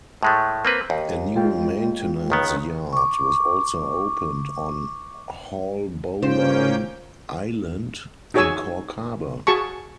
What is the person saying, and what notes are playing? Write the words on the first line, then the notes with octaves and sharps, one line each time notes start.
A new maintenance yard was also opened on Haulbowline Island in Cork Harbour.
A2 G#3 A3
A#3 C4 B4
D#2
G#3 F4 G5
C#2 D#3 B3
C#6 D6
C#3 A#3 C#4 F4 C5 G5
D#4 F#4 G#4 C#5 G#5 E6
F#4 G#4 A5 C#6